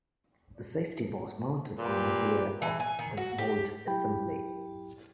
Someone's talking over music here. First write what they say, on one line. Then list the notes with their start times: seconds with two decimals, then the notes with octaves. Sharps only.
The safety was mounted on the rear of the bolt assembly.
1.78 A#2 G4 B4
2.62 E3
2.80 G#5
2.99 D#3
3.17 F#4
3.38 G4
3.87 F#3 E4 G4 G5 B5